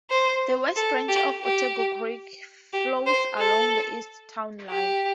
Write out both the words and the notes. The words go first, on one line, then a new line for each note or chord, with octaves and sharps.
The West Branch of Otego Creek flows along the east town line.
C5
A4
G4
G4
G4
C5
A4
G4